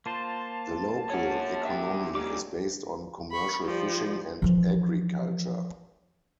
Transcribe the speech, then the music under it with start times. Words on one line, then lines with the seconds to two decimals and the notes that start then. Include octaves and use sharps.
The local economy is based on commercial fishing and agriculture.
0.06 A#3 F4 C5 A5
1.10 C#4 F#4
1.65 E2 G4 E5
2.15 A#2 G3 D6
3.32 B5 C#6
3.65 F3 G3
4.42 E3 F3